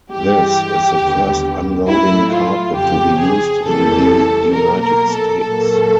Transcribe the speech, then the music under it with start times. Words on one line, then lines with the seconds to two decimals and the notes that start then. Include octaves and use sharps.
This is the first unloading carpet to be used in the United States.
0.11 G2 E3 G#3 G4
0.99 D#2 D3 G3 B3
1.87 A2 F#3 A3 E4
2.32 F4
2.76 F2 C#3 F3 G4
3.20 G#4
3.64 F2 C#3 E3 G3 A#3 A4
4.52 B2 F#3 A#3 A#4
4.82 A#4
5.11 A4
5.40 A#2 F#3 A#3 A4